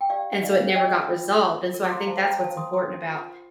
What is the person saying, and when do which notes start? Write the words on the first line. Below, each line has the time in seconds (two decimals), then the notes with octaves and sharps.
and so it never got resolved. And so I think that's what's important about,
0.01 G5
0.10 G4 D5 F5
0.34 D#5
0.42 D#4 D5 F5
0.75 A#4 D#5 G5
1.09 F4
1.42 F4
1.74 A#4
1.84 D6
1.91 C6
2.00 A#5
2.07 C5 F5 A5
2.24 G5 A#5
2.41 C5 F5 A5
2.57 C6 D#6
2.73 C5 C6 D#6
3.07 F4